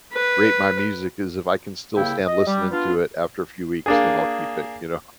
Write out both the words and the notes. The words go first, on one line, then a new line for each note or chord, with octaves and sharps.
rate my music 'cause if I can still stand listening to it after a few weeks, then I'll keep it, you know?
B4
C2 C#3 A#3 E4 G5
D#5
G3
B3 D4 F4
A#3 D4 G#4